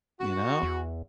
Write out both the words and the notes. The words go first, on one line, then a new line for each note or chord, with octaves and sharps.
you know?
F#4
E2